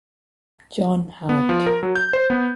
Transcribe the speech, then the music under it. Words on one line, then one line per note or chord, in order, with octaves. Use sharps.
John Hand.
B3
F3
A#4
F#3
G6
C5
B3